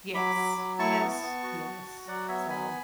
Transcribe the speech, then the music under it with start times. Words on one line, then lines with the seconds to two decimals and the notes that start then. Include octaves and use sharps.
Yes, yes, yes. So
0.14 F#3 B5 D6
0.36 F#3
0.58 F#3
0.79 E4 A5 C#6
1.01 B3
1.11 A5 C#6
1.22 B3
1.43 F#4
1.65 F#4
1.86 F#4
2.07 F#3 D5 F#5
2.28 B3 C#5 E5
2.49 F#3 G#5 B5